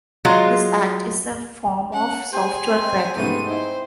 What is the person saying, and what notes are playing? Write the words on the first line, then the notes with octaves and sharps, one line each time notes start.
This act is a form of software cracking.
F#3 G#3 F4
C#4 F#5
G4 G#4 C5 G5 G#5
G#3 C4
G#2 C3 A3 B3 C#4 D#7
G#2 D#4 E4 C5